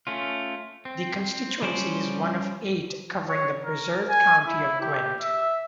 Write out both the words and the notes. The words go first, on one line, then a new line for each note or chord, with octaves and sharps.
The constituency is one of eight covering the preserved county of Gwent.
A3 C#4 F4
C4
F3 G3 C#4 C5 D5
C#5
A#4
G#5
E4
G4
E5